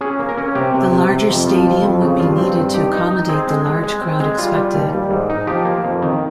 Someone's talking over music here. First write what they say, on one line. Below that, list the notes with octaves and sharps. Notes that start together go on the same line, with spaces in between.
The larger stadium would be needed to accommodate the large crowd expected.
C#4 G#4
A#3
A#4
C#4
C3 G4
C3
C3
C3
F2
F3
F2
F2
C#3
G2 F4
C4
G2
D#4 G4
D#4
D#4
C4 G#4
G#3
G#3
G#3
C4
G#3
G3 F4
G3
D#2
G3
G#2
D#4
F3 G4
A#3
F2
D#3